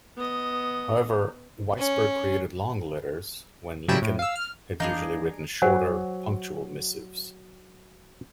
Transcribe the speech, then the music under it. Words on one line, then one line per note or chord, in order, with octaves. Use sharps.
However, Weisberg created long letters when Lincoln had usually written shorter, punctual missives.
B3 D#5
C#4
C#3 F#3 G3 E4 G5 A5
A2
F5 E6
F6
E3 G3 A#3 D4 G#4 A#4 D#5 G6
F#3 C5 F#5 G#5